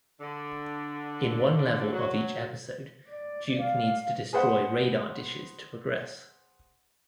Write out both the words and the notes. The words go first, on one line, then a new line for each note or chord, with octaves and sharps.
In one level of each episode Duke needs to destroy radar dishes to progress.
D3
F#3
D5
F5
G#4 B4 C5 F#5